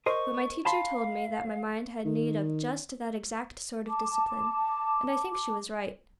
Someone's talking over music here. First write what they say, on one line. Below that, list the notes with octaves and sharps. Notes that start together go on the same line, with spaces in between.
But my teacher told me that my mind had need of just that exact sort of discipline, and I think she was right.
A#4 C5 D#5 C#6
F5 A5 B5 C6
D#3
A5 D6